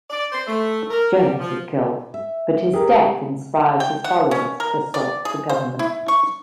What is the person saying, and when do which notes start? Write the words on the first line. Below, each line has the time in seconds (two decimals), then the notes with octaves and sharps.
Jones is killed, but his death inspires his followers to assault the government.
0.10 D5
0.32 C5
0.47 A3
0.90 A#4
1.15 G3
1.40 F3
2.14 E5
2.74 G4 G#4 A#4
3.80 G5
4.04 F#5
4.31 C#4
4.60 A#4
4.94 D5
5.25 G#4
5.49 C5
5.79 E4
6.08 C#6